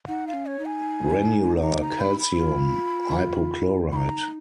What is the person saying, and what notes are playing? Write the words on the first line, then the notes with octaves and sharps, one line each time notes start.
Granular calcium hypochlorite.
D#4 F#5
F5
C#4
C#5
D#4
G#5
A#5
A#5
B5
B5
F4
D#4 A#5 B5